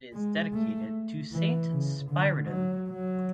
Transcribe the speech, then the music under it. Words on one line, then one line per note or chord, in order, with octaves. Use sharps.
It is dedicated to Saint Spyridon.
G#3
A3
E3
C#3
D3
F#3
F#3